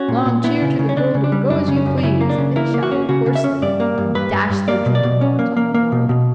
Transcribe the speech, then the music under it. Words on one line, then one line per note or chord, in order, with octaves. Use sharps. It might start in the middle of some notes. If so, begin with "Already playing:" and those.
"Long cheer to the Guild of Go-as-you-Please!" they shouted, hoarsely, and dashed their drinking-horns on the board.
Already playing: C#4 F#4
A#2
A#2
B3 E4
C#3
C#3
C#4
C#3 D4
C#3
D4
G3
F#2 D4
C#3
C#4
F#2
D4
C#3 E4
A#3
D4
C#3
A#3 E4
A#3
F#4
C#4
C#3 F#4
C#3
E5
C#4
G2 D5
A#3
G2
G2 B4
G2
G2
A#3 D5
B2
D5
B2
C#4
A#3
A#3
A#3
B2
B2